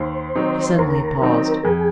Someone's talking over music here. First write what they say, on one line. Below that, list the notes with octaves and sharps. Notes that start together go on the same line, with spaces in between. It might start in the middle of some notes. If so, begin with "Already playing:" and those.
He suddenly paused.
Already playing: D#2 C5
D#3 F#3 C4 D#4
D#2 A#4
D#3 F#3 C4 D#4
F2 G#4